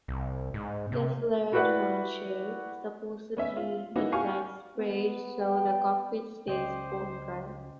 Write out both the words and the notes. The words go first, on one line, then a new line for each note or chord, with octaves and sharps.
The flared hull shape supposedly deflects spray so the cockpit stays bone dry.
C2
G#2
C3
E4 F#4 G4 B4 D5 F#5
B3 C#4 E5
F4
A#3 B3 C#4 D#4 E4 F#4
F#4 G4 F5 G#5 C#6 F6
B3
G5
C#2 C#4 C5 D5 D#5 G5